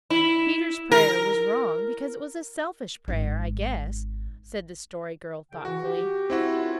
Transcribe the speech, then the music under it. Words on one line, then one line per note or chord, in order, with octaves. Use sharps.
"Peter's prayer was wrong because it was a selfish prayer, I guess," said the Story Girl thoughtfully.
E4
A#4
G#1 D#4
C2 C#3 G5
E3 F#4
G4
C4 E4 F#4
F#2 D4 F4